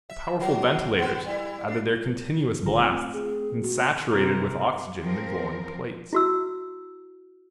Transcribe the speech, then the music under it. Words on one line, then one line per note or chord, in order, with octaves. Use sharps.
The powerful ventilators added their continuous blasts and saturated with oxygen the glowing plates.
E5
F#3 A#4
B3 A4 C5
G3 E4
D4
G#1 D3 F4 A#5
A3 C4
G#4
F#4
C3 A#4
F3 C4 A#4
E4 F#4 E6